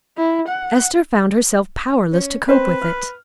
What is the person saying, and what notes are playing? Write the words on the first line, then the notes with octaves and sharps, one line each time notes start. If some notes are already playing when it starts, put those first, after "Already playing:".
Esther found herself powerless to cope with it.
E4
F#5
C#4
C4 B4 C5
F6